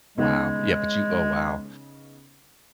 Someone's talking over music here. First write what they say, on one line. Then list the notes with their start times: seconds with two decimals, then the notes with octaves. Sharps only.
wow. Yeah, but you oh, wow.
0.18 C#3 G#3 B3 D#4